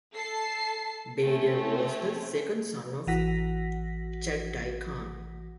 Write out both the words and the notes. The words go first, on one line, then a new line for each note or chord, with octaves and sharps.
Baidar was the second son of Chagatai Khan.
A4 A5 C7
A3 C4 C#4
A1 E3 F#4 F#5 A#6 B6